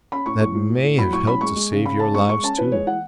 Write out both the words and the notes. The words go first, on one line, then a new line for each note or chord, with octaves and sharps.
That may have helped to save your lives too.
C#4 B5
A2 C#6
A2 C#6
A2
A2
A2
F#3 B5
A2 C#6
C#4 B5
G#3 C#6
G#3
C#3
C#3 B5
C#4 A5
G#3 C#6
G#3 C#6
C#4 A5
E3 B4
G#3 C#5
E3 F#5